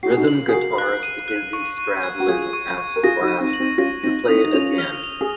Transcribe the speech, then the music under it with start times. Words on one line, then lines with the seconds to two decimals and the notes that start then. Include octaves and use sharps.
Rhythm guitarist Izzy Stradlin asked Slash to play it again.
0.03 F#4 C7
0.10 G#4
0.17 D#4 F#4
0.28 F#7
0.49 G#4
0.53 F#4 A#4 C7
0.78 F#6
1.03 D#7
1.28 F#6
1.53 C#6
1.78 C#6
2.03 G#6
2.20 F#4
2.28 F4 G#4 G#6
2.53 C#6
2.78 C#6
2.96 A#4
3.03 F4 G#4 A#6
3.22 D#4 F#4
3.28 D#7
3.40 C4 D#4
3.53 F#7
3.60 C4 D#4
3.78 C#4 F4 A#6
4.03 C4 D#4 A#6
4.28 C4 D#4 D#6
4.44 D#4
4.53 C#4 F4 F7
4.78 F6
5.04 F7
5.21 G#4